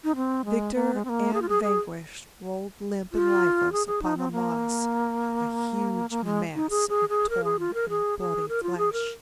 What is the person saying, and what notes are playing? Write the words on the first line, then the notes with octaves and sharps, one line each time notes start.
Victor and vanquished rolled limp and lifeless upon the moss, a huge mass of torn and bloody flesh.
D#4
C4
G#3
A#3
G#3
C4
A#3
G#4
F4
G#4
G#4
F4
G#4
G#4
D#4
C4
A#3
A#3
G#3
D#4
G#4
G#4
G#4
A#4
G#4
F4
A#4
G#4
G#4
A#4
F4
G#4
A#4